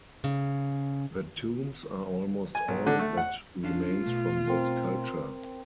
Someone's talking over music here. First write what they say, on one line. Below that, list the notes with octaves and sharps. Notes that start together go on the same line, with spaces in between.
The tombs are almost all that remains from this culture.
C#3
G#5
B1
D3
A3
F#5
C#4 D4 F4 F5
B2 A3
C4 A#4